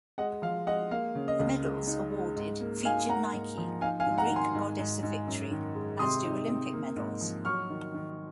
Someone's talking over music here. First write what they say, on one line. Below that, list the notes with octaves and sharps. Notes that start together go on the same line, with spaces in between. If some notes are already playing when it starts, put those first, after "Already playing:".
The medals awarded featured Nike, the Greek goddess of victory as do Olympic medals.
G#3 D#5 F#5
F3 F5
G#3 D#5 F#5
A#3 F5
C#3
D#5
C#2
G#3
D#4
G#3
G#2
A#3
D#4 F5 G#5
A#3 F#5 A#5
G#2
F3
D#4 F5 G#5
F5 G#5
G#2
F#5 A#5
D#3
G#5 C6
G#2
G#2
G#2
F#2
D#3
G#3
C3 C6 D#6
D#4
C4
A#3
G#2
F3
F#3 C#6 F6
D#3
D#3